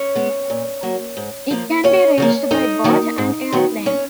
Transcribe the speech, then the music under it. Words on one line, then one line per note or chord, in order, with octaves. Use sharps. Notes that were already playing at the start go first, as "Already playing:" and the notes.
It can be reached by boat and airplane.
Already playing: C#4 C#5
G#3 B3
A#2
F#3 A#3
G#2
F3 A#3
D#2 C#4 C#5
C#3 F3 A#3
F2 D#4 D#5
D#3 F#3 A#3
G#2
D#3 F#3 B3
C#4 C#5